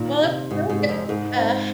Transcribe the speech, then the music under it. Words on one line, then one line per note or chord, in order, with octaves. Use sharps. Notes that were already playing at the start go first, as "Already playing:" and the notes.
Well, it was really good, uh,
Already playing: A#2 D#3 F4
C3
G#2 C3
G#2
G#3
F2
G#2 G#3
C4